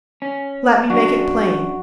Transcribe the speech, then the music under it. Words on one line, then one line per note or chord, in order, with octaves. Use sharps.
Let me make it plain.
C#4
F#2 D4 F#4